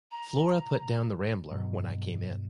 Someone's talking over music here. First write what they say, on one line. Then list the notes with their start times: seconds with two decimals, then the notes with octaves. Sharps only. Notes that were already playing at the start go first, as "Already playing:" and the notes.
Flora put down the Rambler when I came in.
0.11 A#5
1.51 G2 B2 F#3